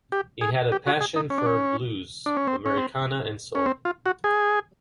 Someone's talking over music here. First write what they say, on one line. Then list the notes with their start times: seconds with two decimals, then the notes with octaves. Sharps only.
He had a passion for blues, Americana and soul.
0.12 G4
0.41 G#4
0.72 G4
0.87 F#4
1.00 G#4
1.16 D#4
1.30 C#4
1.38 D4
1.46 C#4
2.26 D4
2.37 C#4
2.47 C4
2.66 C#4
2.78 C4
3.55 C#4
3.66 C4
3.85 F4
4.06 F#4
4.24 G#4